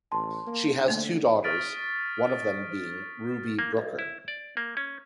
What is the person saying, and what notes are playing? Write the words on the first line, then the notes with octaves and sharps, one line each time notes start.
She has two daughters, one of them being Ruby Brooker.
A1 A5 C6
A#3
D3 A3 A#3
C#6 D#6 F6 A6 B6 D7
A#3
B1
E4
D5
A#3
C#4